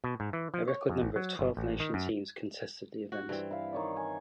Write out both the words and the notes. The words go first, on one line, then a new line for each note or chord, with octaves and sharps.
A record number of twelve nation teams contested the event.
B2
G#2
E3
F3
C#5
F2
A1
F#3
G1
A1
D#3
F#2
F#4
G2 E3 C4
E4 F5
D#3 C#5 D5
G#5